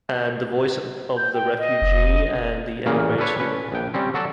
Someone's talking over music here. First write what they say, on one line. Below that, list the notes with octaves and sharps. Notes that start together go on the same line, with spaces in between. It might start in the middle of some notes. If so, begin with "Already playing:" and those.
And the voice of the refugee and the emigre, too.
G6
G5
D#5
F1
A1 A#2 C#3 A#3
D4 A4 B4 C#5
C#4 B4
A#1 G5
G3 C4 C#4
F#3 F#4 A4 D5